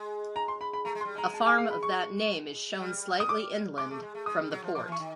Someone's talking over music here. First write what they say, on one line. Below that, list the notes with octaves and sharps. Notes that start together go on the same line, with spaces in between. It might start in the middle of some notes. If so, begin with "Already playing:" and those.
A farm of that name is shown slightly inland from the port.
Already playing: G#3
A#5
C6
B5
B5
A3 A#5
G#3
C6
G3
G#3 A#5
A5
G#5
F5
B5
C#6
G3
D#6
D6
G#3 D6
A3
G#3
A3
G#3 D#6
G3
F#3
F3
F3 D6
E3 C#6
D#3